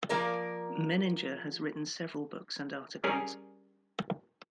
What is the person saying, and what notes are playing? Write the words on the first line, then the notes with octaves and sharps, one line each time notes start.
Menninger has written several books and articles.
F3 A#3 A#4 D5
G3 C#4 G#4 A#4